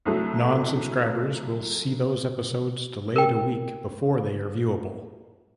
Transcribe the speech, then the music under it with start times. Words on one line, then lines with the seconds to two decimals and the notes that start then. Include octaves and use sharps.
Non-subscribers will see those episodes delayed a week before they are viewable.
0.05 C2 F#3 A3
3.16 A#4 B4 G5